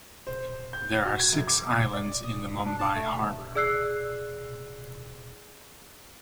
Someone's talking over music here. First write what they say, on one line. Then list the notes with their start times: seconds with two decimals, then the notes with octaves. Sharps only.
There are six islands in the Mumbai Harbour.
0.27 C5
0.73 G6
1.05 F#4
1.20 G#6
1.32 F#2
1.47 D6
1.94 D5
2.24 D#6
2.38 G2
2.52 D2
2.65 D4
2.79 A5
2.94 A3
3.12 D#2
3.55 G#4 D5 E6 F#6 C7